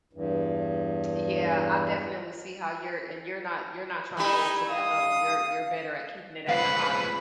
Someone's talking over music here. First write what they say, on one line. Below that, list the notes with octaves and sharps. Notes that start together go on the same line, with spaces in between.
Yeah. I definitely see how you're and you're not you're not tryna to go up to that level, you're you're better at keeping it as a hobby.
E2 G2
G3 A3 D#4 E4 B5
F5 D#6
G#3 C4 F4 B4 F5